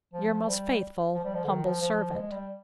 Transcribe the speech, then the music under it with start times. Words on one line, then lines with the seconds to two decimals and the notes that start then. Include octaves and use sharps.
'Your most faithful humble servant.'
0.14 F3
0.47 G3
1.14 F3
1.24 G3
1.34 F3
1.44 D3
1.48 D#3
1.65 F3
1.81 F3
2.15 G#3
2.31 G3